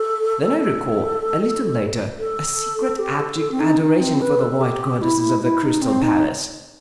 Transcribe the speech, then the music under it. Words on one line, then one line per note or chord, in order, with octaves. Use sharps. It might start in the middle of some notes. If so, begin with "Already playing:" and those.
Then I recall, a little later, a secret abject adoration for the white goddesses of the Crystal Palace.
Already playing: A4
A4
A4
G4
A4
A4
C4
D#4
D#4
C4
B4
A4
G4
E4
E4
D#4
C4
D#4